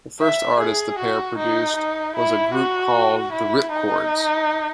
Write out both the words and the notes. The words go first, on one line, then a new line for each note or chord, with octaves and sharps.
The first artist the pair produced was a group called the Rip Chords.
E5
G#4
F#4
D#4
D#4
E4
F#4
E4
D#4